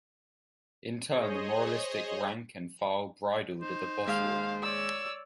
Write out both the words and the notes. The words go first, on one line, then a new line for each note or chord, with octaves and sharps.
In turn the moralistic rank and file bridled at the boss rule.
G#4 C5 C#5 D#5
D#4 C5
D#2 G#3 F5
C#5 D5 E6